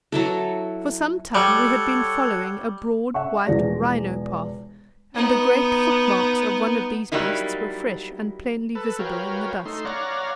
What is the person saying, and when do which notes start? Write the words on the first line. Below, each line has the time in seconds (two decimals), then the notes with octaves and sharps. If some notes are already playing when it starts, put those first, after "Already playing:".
For some time we had been following a broad white rhino path, and the great footmarks, of one of these beasts were fresh and plainly visible in the dust.
0.12 F#3 E4 A4
1.35 G3 A4 C#5 F#5
3.14 E5 F#5 C#6
3.46 E1 E2 F3 G#4 D5 A#6
5.15 B3 D#4
7.12 F#3 G3 A#3 D#4 E4
8.75 A4 B4
8.99 F#4 A#4 B4 C#5 F5 G5
9.65 A3 D#4 C6
9.85 C#5 D5 F5 F#5 A#5